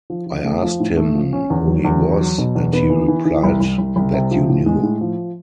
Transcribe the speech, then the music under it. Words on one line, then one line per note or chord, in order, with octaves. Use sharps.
I asked him who he was and he replied that you knew.
F3
F3
A3
F3
A2
A3
F3
C#4
E2
F#3
E2
F#3
F#3
B2
E2
B3
E3
E3
E3
C2
C2
C2
C2
C3
F3
A2
G#3
A2
F3